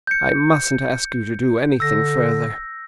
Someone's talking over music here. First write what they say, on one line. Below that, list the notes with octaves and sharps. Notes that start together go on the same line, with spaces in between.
I mustn't ask you to do anything further.
G6 C#7
D3 E6 A#6